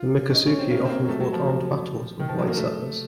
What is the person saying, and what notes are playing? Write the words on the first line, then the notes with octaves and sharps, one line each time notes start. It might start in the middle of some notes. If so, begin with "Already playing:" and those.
The Miccosukee often fought armed battles with white settlers.
Already playing: F4
C#4
D#4
C#4
C4
A#3
C4
A#3
F#3
A3
F#3
F3
D#3
F3
F#3
A#3
A3